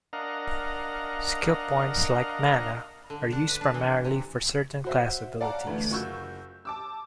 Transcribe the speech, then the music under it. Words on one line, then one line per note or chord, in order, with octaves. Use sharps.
Skill points, like mana, are used primarily for certain class abilities.
D4 A#4 D#5 F5 F#5 A#5
D3
D4
B4
D4
E3
C3
F#4 C5 E5
D5 F5 F#5 A5 A#5
D2 E3 A3
F#1 F4 F#4 C#6 E6 G6
A5 D6 E6